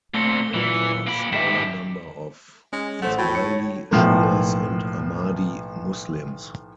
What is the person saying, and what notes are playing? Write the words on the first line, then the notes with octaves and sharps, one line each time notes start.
There are smaller number of Ismaili Shias and Ahmadi Muslims.
A#2 A3 C4 C#7 G7
A#2 E3 F#3 F4
A#3 B5 D7
G#2 D#3 G3 G#4 E5 B6 E7
G#3 C#4
A1 A3 C5 F#5
A2 F#4 A4 G5 B5
C#5 C#7
B1 A2 F3 A#3